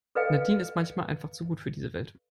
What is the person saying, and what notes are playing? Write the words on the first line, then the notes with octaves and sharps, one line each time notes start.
Nadine ist manchmal einfach zu gut für die Welt.
A4 B4 D5 D#5 F5 G5